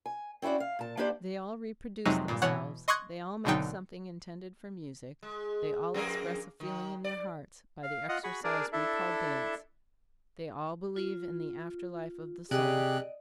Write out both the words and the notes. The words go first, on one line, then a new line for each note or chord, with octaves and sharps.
They all reproduce themselves, they all make something intended for music, they all express a feeling in their hearts by the exercise we call dance, they all believe in the after life of the soul.
G#5
C4 C#4 E4 F#4 D5
F5
A#2 A5
A#3 D4 E4 G4 C5 D5
F2 C3 F#3 G#3 D#4
G2 A#2
B2 E3 C#5 F#5
D#5 C6 C#6 D#6 F#6 G#6
G#1 B2 D3 F#3 D#4 G5
G#3
F2 A#3 G#4
D#3
D5
F5
F4 D#5 F#5
F#4 G#4 B5 C#6
D4 G#4 A#4 D5
D4 E4 A4 E5
F4
C3 G4 G#4 D5 D#5 F#6